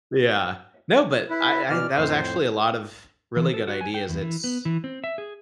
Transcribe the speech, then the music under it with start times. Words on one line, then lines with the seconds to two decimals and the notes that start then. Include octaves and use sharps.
yeah. No, but I I that was actually a lot of really good ideas. It's
1.30 E4 B4
1.70 B2 E3 D5 F6
1.97 F2 A2 C5
3.36 E3
3.54 A4
3.67 F#4
3.81 G#5
3.94 G5
4.09 E2
4.21 E3
4.44 B3
4.65 E3
4.84 C4
5.04 E5
5.18 G#4